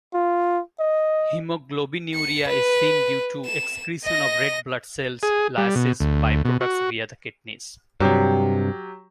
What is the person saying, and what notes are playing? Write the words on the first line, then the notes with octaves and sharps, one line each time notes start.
Hemoglobinuria is seen due to excretion of red-blood-cell lysis byproducts via the kidneys.
F4
D#5
C#7
B4
E7
D#5 A#6
G#4
G3
B2
D2
B2
F#4
G2 C3 F#3 G4